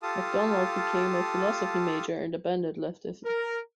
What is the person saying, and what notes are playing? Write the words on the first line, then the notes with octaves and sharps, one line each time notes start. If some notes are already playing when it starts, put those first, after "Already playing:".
MacDonald became a philosophy major and abandoned leftism.
F4 G4 A4 F5 A5 D#6
A#4